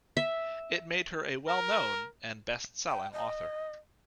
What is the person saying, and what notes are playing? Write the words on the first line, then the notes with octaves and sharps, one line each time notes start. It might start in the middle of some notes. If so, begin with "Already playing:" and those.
It made her a well-known and best-selling author.
E5
A#4
G5
D#5